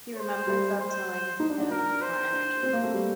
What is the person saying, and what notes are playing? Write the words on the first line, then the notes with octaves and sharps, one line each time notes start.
He remembers them telling him, More energy!
C5
G3
C5
D#4
D4
D4
D4 A#4
C5
D4
C4
A#3
A3
G3